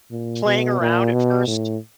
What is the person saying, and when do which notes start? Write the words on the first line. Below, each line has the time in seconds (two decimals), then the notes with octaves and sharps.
playing around at first.
0.11 A#2
0.45 B2
0.80 A#2
1.13 B2
1.47 A2